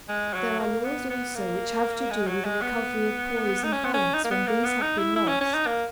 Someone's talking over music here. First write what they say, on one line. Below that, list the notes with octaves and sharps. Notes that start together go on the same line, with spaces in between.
There are laws also which have to do with the recovery of poise and balance when these have been lost.
G#3
F#3
A#3
B3
B3
A#3
G#3
F#3
G#3
B3
D#4
C#4
B3
C#4
D#4
A#3
B3
A#3
B3
D#4
E4
E4
C#4
C#4
D#4
A#3